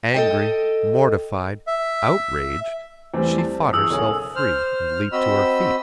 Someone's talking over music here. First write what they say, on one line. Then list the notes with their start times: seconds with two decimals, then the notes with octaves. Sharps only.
Angry, mortified, outraged, she fought herself free and leaped to her feet.
0.14 A4 D#5 G5
1.67 E5
3.14 E2 G3 A3 C4
3.38 A5
3.73 E2 G#4 C#6 D#6 E6
3.90 F#1 B1 G#4 A4 C#5 G#5
4.36 C5 F6
5.12 C4 F#4 D#5 B5 E6